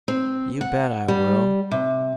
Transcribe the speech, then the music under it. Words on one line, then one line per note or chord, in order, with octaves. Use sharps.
You bet I will!
C4
F#5
G3
C3